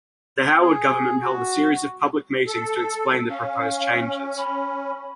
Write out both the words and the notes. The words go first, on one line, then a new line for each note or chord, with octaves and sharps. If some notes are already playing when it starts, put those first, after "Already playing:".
The Howard Government held a series of public meetings to explain the proposed changes.
G#4
F#4
A4
C#4 F5
B5